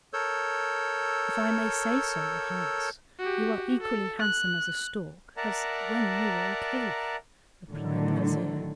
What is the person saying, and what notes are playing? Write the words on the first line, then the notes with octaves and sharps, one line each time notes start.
"If I may say so, your Highness, you are equally handsome as a stork as when you were a Caliph," replied the Vizier.
A4 A#4 C#5 E6 G6
F#4 G4
A4
F#6
A#4 D5 E5 F#5 A5 A#5
A2 D3 D#3 F#3